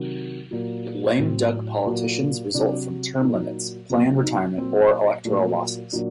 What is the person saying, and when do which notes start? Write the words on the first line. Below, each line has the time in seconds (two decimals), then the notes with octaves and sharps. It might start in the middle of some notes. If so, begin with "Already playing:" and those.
Lame duck politicians result from term limits, planned retirement, or electoral losses.
Already playing: C3 D#3 F#3
0.51 A#2 F#3
1.19 A2 F#3 C4
1.86 A#2 F#3 F#4
2.54 C3 F#3 D4
3.22 A#2 F#3 D#4
3.90 C3 F#3
4.23 D#4
4.58 A#2 F#3 C4
5.25 A#2 F#3 A3
5.92 A#2 F#3 D4